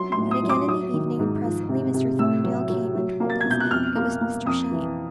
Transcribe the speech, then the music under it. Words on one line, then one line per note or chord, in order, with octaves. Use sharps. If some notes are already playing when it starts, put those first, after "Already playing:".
We met again in the evening, and presently Mr. Thorndale came and told us it was Mr. Shene.'
Already playing: F#3 C6
C6
A2
D#6
F#3
D6
F#3 D#6
D#3
G#2
F3
C3
C3
A2 E6
F#3
F#3
F#3
A#3
A6
B2 G#6
G6
F#6
F2 F6
A#3
A#3
F2 D#6
E3